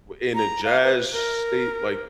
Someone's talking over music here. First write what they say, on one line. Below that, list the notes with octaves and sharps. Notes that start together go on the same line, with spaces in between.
in a jazz state? Like,
A#5
F5
B4
A#4